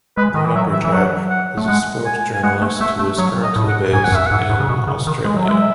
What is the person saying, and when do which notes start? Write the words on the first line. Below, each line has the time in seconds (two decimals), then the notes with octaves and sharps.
The younger Jack is a sport journalist who is currently based in Australia.
0.17 G#3 B4
0.34 D#3 D#5
0.45 E3
0.56 F#3 E5
0.73 E5
0.84 E3 E5
0.93 F#3 F#5
1.30 F#5
1.57 A3
1.67 G#3 F#5
2.06 G#5
2.34 G#5
2.43 G#3 F#5
2.62 A3
2.81 A3 E5
2.99 A3
3.18 F#3 C#5
3.43 D#5
3.56 A2
3.68 F#5
3.93 G#2 G#5
4.04 F#5
4.12 F#2
4.15 E5
4.27 G#2 F#5
4.50 A2
4.60 C#3
4.69 B2
4.87 C#3
5.07 D#3
5.25 G#3
5.37 F#3
5.44 G#3 E5